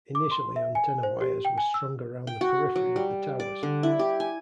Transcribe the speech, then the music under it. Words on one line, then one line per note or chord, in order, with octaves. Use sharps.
Initially antenna wires were strung around the periphery of the towers.
D6
C6
E5
G#5
C5
G4
G5
G#5
E6
G5
F#4
F#3
G3
D5
D3
E4
G4
G#5